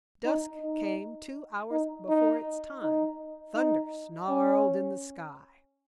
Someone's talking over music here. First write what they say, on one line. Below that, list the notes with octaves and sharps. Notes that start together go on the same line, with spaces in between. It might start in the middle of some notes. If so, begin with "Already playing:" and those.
Dusk came two hours before its time; thunder snarled in the sky.
D#4
D#4
D#4
D#4
D#4
D#4
C#4